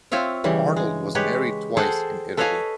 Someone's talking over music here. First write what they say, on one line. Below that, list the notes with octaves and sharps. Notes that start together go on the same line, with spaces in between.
Arnold was married twice in Italy.
C4 F4 C#5 E5 F5
C#3 E3 G3
G#3
G#3 G4 B4 C#5
G#4 A4 C5 F#5 G5 A5
A4 B4 C#5 D#5 F5 G#5